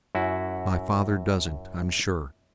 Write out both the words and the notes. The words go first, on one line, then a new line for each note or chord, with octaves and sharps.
My father doesn't, I'm sure.
F#2 E4 F#4